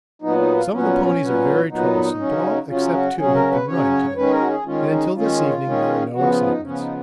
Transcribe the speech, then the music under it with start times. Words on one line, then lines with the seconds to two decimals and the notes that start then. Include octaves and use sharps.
Some of the ponies are very troublesome, but all except two have been running to-day, and until this evening there were no excitements.
0.22 A#2 F#3 B3 D#4
0.38 D#4
0.55 F4
0.71 A#2 F#3 B3 C#4
1.21 A#2 F#3 B3
1.70 A#2 F#3 B3 D#4
2.19 C#3 F#3 C#4
2.68 C#3 F#3 C#4 F4
2.93 F#4
3.18 C#3 F#3 C#4 G#4
3.34 A#4
3.51 B4
3.67 C#3 F#3 C#4 C#5
3.91 C#5
4.16 D#3 G#3 C#4 B4
4.27 G#4
4.33 A#4
4.41 F#4
4.49 G#4
4.65 D#3 G#3 C#4 F4
4.90 D#4
5.15 D#3 G#3 C#4 F4
5.64 D#3 G#3 C#4
6.13 C#3 F3 B3 F#4
6.29 F4
6.46 D#4
6.62 C#3 F3 B3 C#4
6.79 D#4